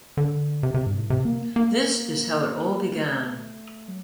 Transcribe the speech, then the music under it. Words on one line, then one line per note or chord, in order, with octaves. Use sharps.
This is how it all began.
D3
C3
C3
G2
A2
C3
A#3
A#3
A3
F#3